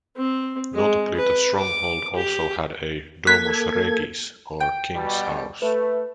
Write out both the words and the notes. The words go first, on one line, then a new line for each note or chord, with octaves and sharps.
Notably, the stronghold also had a "domus regis" or king's house.
C4
G#3
B4
D6
G4
A#3 A4 F#6 G#6 B6
G5
B2 G3
A3 B4